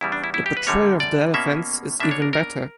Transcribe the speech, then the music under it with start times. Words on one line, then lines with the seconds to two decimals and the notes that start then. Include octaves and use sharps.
The portrayal of the elephants is even better.
0.01 E2 C#3 G3 E4
0.12 D4
0.24 E4
0.34 E4
0.46 G4
0.57 B4
0.67 F#2 D3 G3 A#3 C#5
1.00 D5
1.34 B2 A#3 C#4 E5
2.00 B2 A#3 D4 E5
2.11 C#5
2.22 A#4
2.33 A#4